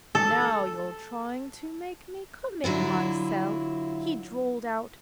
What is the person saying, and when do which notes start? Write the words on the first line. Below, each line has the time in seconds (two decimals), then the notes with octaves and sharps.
'Now you're trying to make me commit myself,' he drawled out.
0.15 A4
2.64 D3 F#3 E4 F4